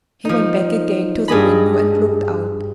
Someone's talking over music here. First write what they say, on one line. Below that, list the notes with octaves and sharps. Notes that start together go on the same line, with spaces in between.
He went back again to the window and looked out.
F3 D#4
G2 G#4 D#5 B5